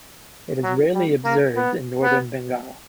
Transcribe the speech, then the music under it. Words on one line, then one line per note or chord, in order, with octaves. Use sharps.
It is rarely observed in northern Bengal.
F#3
G3
A#3
B3
B3